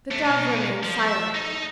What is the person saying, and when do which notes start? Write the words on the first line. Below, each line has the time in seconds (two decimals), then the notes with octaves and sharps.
The Dove remained silent.
0.11 C3 A3
0.26 B2 D#4
0.83 F3
1.08 E5
1.35 D#4